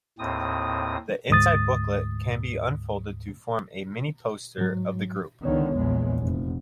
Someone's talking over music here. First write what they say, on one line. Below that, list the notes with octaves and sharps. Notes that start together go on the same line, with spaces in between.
The inside booklet can be unfolded to form a mini-poster of the group.
D#2 A2 C4 D#6
D2 G#2 D#6 A6
G#2 F#3
C#2 D3 D#3 B3 C#5
A#1 E2 G#3
F1